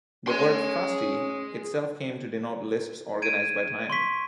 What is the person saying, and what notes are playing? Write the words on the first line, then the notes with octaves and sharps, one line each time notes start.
The word "fasti" itself came to denote lists organized by time.
C#4 G#4 C6
G#6 D7 D#7
C6 C#6 B6